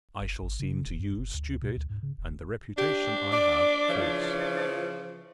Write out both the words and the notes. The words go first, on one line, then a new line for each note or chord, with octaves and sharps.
I shall seem to you stupid, and the reputation I have false.
F#1
G#1
C#3
D#1
G2
F#1
D2
B2
D2
G#2
C#3
E1
D4 G4
D5
C#3 E3 F3